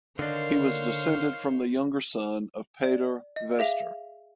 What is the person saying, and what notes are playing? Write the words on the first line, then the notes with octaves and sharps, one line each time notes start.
He was descended from the younger son of Peder Wester.
D3 D#3 D4 C5 C#5 D#5 F5 C6
D5
D#5
G#4 E5 F5 F7